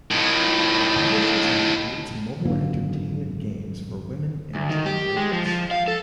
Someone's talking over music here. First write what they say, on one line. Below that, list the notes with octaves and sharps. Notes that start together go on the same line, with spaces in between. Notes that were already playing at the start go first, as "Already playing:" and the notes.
It publishes and creates mobile entertainment games for women and teen girls.
A2 D#3
G#1 F#2 D3 A#3
D2
D#3
G4
G#3
F3
F3
F5
A4